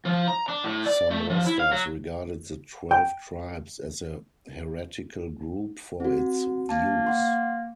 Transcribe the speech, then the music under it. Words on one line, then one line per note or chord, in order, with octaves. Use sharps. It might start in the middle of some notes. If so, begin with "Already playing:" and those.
Some Rastas regarded the Twelve Tribes as a heretical group for its views.
F3
A#5
D4
A2
D5
A3
F3
E4
F5
F#3
G5
C4 F#4
A#3 A5
F#5 C6